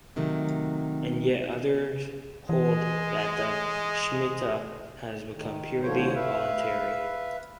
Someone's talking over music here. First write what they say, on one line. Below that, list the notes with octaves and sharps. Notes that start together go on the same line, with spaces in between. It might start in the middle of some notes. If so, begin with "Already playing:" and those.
And yet others hold that the Shmita has become purely voluntary.
C3 D#3 F#3 A3
E3 G#3
D#3
D#2 A2 D3 F3 C5 C#5
B4 E5 F5